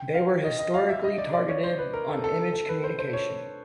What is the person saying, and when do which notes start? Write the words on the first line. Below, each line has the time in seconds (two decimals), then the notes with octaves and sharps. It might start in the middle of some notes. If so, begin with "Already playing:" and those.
They were historically targeted on image communication.
Already playing: G5
0.14 F5
0.44 D#5
0.59 D#5
0.74 F5
0.89 E5
1.04 D#5
1.18 D5
1.33 D5
1.48 C#5
1.64 C5
1.78 B4
1.94 A#4
2.09 A4
2.24 A4
2.53 A4
2.69 B4
2.84 C5
2.98 C5
3.13 C#5